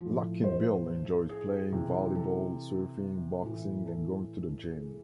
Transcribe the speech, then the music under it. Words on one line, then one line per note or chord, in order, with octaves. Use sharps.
Luckinbill enjoys playing volleyball, surfing, boxing and going to the gym.
A2 F3
C5
G#4
C3 E3
A4
A2 E3
A4
G#4